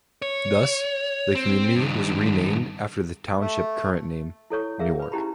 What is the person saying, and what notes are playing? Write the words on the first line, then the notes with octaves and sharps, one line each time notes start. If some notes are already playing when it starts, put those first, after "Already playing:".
Thus the community was renamed after the township current name, Newark.
C#5
C4
G2 D#3
A3
E4 A4 C#5 C#6
G#4 A#4 E5 F5
B4 B5
C#4 D#4 E4 G4 A#5 B5